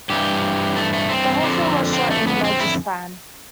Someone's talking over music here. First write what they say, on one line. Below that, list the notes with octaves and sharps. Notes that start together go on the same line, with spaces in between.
The whole film was shot in Rajasthan.
G2 E3 G4
A3
A3
C4
F2 D3
C4
A3
B3
C4
E4